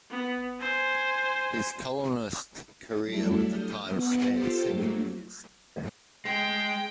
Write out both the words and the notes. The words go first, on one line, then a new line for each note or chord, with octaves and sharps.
His columnist career with the "Times" spanned seven years.
B3
C5 G#5
F#3 G3 A3 D4 E4 A4
D#6 F6 G6
B3 F#5
F4 G4 A4 C5
F#3 A3 A#3
G#3 G5